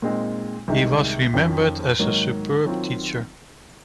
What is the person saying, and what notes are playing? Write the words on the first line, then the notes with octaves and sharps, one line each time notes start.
He was remembered as a superb teacher.
A#2 G#3 C4 D#4
C2 C3 D#3 G#3 D#4
F2 D#3 F#3 C#4 F4
G#2 D#3 F#3 A#3 D#4
D#3 F#3 C4 F4